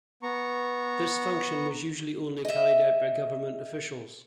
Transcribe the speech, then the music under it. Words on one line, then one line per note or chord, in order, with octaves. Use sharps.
This function was usually only carried out by government officials.
B3 A#5 C#6
D#5 E5